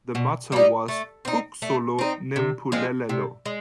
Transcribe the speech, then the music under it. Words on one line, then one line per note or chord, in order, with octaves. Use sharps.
The motto was "uXolo neMpulelelo".
B2
G3 A#3 D#4
A3
C4 D#4
A3
C4 D#4
C3
F3 G#3 C4
C3
G#3